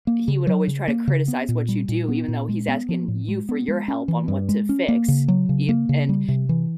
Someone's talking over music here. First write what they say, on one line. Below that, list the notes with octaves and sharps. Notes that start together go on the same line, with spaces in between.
he would always try to criticize what you do, even though he's asking you for your help on what to fix, you and h
A#3
C#3
F#3
C#3
A#3
C#3
B3
A#2
G3
A#2
B3
A#2
G#3
B3
F3
A2
G#3
B3
G#3
C#4
E3
G2
G#3
C#4
A#3
C#3
F#3
C#3
A#3
C#3
G3
C3
E3